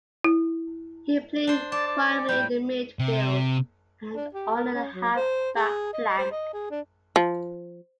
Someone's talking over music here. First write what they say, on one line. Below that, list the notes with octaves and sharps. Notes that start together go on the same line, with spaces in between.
He played primarily in midfield and on the half back flank.
E4
D4 C5
D5 A5
D5
A2 G3 G5
C3
D4
G4
A#4
C#4
F#3
C5
G#4
D#5
C5
D#5
G#4
D4
F3